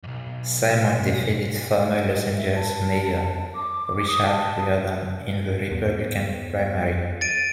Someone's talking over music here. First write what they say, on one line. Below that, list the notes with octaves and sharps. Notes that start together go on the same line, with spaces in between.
Simon defeated former Los Angeles Mayor Richard Riordan in the Republican primary.
B1 F2
E5
A5
D6
D#6
A5
E2
A6 D7 D#7